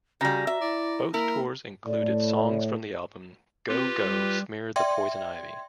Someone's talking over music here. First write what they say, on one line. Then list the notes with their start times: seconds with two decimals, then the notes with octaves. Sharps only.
Both tours included songs from the album, "Go, Go Smear the Poison Ivy".
0.21 C#3 G3 F#4 A#5
0.47 F#4 E5
0.61 E4 D5
1.14 A#3 E4 A#4
1.86 A2 D5
3.69 C4 F4 G4 B4
4.01 G3
4.76 D5 E5 G5 C6 G#6